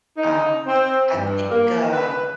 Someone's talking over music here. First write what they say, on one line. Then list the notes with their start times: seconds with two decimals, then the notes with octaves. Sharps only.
Um, I think, uh
0.18 D#4
0.66 C4
1.14 G2
1.50 A#3
1.92 B4